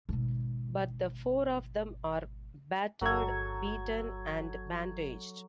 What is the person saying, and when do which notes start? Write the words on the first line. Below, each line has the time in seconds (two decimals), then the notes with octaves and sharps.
But the four of them are battered, beaten and bandaged.
0.09 G#1 B2
3.01 G1 F#3 A4 G#6